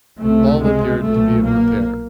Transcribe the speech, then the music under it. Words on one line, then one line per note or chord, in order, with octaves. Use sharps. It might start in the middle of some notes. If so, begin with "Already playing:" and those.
All appeared to be in repair.
C#2 C3 A3
G#3
B1 A#2 A3
A#3